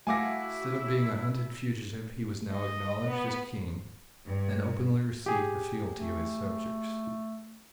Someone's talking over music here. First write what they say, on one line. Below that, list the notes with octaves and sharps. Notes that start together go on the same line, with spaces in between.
Instead of being a hunted fugitive he was now acknowledged as king and openly received the fealty of his subjects.
A3 E4 F#4 F5 F#5 G#5 D6 A#6
D#5
B3
G2
G4 G#4
A3